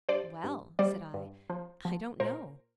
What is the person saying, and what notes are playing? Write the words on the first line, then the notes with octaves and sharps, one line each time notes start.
"Well," said I, "I don't know."
G2 C5 D5
G2
G3 C5 D5
G2
F3
F3
A#2 A#4 C5